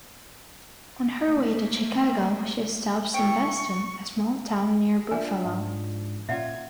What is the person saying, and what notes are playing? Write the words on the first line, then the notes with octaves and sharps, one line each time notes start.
On her way to Chicago she stops in Beston, a small town near Buffalo.
A3 A#3
E4 G5 C#6
F3 D4 E5 G#5
G#2
A#2 C#4 F4 E5 F#5 G#6